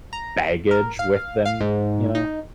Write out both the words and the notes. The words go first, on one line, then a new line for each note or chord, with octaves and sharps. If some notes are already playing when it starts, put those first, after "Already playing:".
baggage with them, you know.
A#5
A#4
F5
F5
G#2
D#4